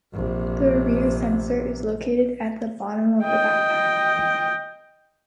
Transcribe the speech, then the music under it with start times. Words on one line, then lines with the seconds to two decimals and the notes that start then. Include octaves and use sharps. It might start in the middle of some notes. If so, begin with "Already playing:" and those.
The rear sensor is located at the bottom of the backpack.
0.14 A#1 C3
3.24 D#5 G5